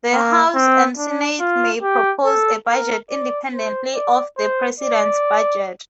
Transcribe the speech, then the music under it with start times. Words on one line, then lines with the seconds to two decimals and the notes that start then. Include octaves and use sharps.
The House and Senate may propose a budget independently of the President's budget.
0.12 A#3
0.55 C4
0.97 D4
1.40 F4
1.82 G4
2.25 A4
2.67 A#4
3.10 D5
3.52 C5
3.95 D5
4.37 C5
4.80 D5